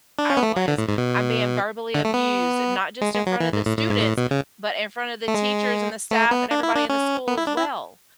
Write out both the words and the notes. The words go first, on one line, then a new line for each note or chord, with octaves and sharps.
I was. "I'm being verbally abused, not just in front of the students, but in front of the teachers and the staff and everybody in the school as well,"
D4
C#4
B3
A3
F#3
D3
A2
G#2
B2
D3
A3
B3
G#3
G#3
F#3
E3
G#2
A2
A2
G#2
A2
B2
C#3
A3
G#3
A3
B3
D4
E4
D4
C#4
B3
E4
D4
E4